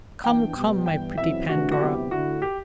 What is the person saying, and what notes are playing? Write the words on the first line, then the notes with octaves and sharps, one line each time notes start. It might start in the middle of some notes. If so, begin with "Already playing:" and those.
Come, come, my pretty Pandora!
E3 B3 D4 G5
B2 G3 B3
G2 E3 B3 G5
E2 B2 F#3 C4 E4 E5
C3 E3 A3 D4 F#4
F#4
D2 C3 F#3 B3 E4 G4
D3 A3 E4 F#4
G4